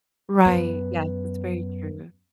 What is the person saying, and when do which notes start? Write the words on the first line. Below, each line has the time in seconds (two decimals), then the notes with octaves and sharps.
Right, yes, that's very true.
0.46 F#2 B3